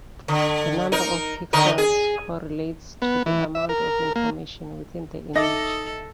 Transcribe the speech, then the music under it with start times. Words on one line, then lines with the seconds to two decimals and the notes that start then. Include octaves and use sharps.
The number of pixels correlates to the amount of information within the image.
0.28 D3
0.92 D#4 A#4
1.53 D3 D#4 A#4
1.78 G#4
3.02 B3
3.26 E3
3.55 E5
3.69 A#4
4.16 A#3
5.36 D#4 A4 D#5 E5 D6 A#6